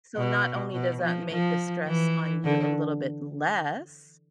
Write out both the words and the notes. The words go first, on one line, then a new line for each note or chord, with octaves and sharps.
so not only does that make the stress on you a little bit less,
B2
B2
F3
F3
E3
D3